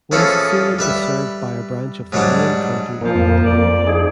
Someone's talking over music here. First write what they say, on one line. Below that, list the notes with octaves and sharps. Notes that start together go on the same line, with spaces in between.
West Salem is served by a branch of the Wayne County Public Library.
E3 F3 C#4 G#4 A4
G3 B4 E5
G#2 F#3 G3 D4
A#2 F3 A#3
F2
F2 D5
D#4 G#4